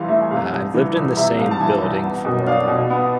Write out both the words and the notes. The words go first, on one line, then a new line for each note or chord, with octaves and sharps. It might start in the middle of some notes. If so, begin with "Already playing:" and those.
Uh, I've lived in the same building for
Already playing: C2 C3 E3 F5 C6
A3 E5
G#5
C3 F5
C2
E3
C2
C3 E5
C2 F5
A5
E3 G#5
C2
B3
B2
D4 F5
B2
B3